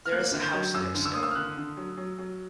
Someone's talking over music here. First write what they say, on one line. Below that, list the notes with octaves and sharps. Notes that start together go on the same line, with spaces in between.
There is a house there still.
F6
A#3 F#6
D3
G6
F#3
F#2 E6
D3
E6
A#3 D#6
E6
F6
D3 F#6
D3
F#3
F#3
F#3